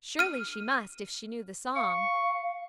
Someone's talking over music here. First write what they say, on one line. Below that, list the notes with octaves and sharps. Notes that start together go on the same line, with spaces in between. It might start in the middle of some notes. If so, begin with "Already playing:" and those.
Surely she must if she knew the song.
F6 D#7
F5 C#6